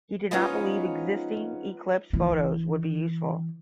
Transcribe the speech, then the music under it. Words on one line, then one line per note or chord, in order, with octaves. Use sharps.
He did not believe existing eclipse photos would be useful.
F3 G#3 B3 C#4 D#4 F4
E3